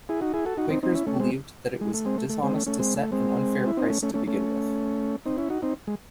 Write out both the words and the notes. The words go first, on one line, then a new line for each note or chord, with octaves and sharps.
Quakers believed that it was dishonest to set an unfair price to begin with.
E4 G#4
D#4 F#4
E4 G#4
F#4 A4
D#4 F#4
C4 D#4
C4 D#4
C#4 E4
A3 C#4
G#3 C4
G#3
A3
G#3 C4
A3
A3
G#3 C4
A3 C#4
A3 C#4
G#3 C4
A3
G#3 C4
E4
C4 D#4
A3 C#4
A3 C#4
A3 C#4
A3 C#4
C4 D#4
C#4 E4
D#4 F#4
C4 D#4
G#3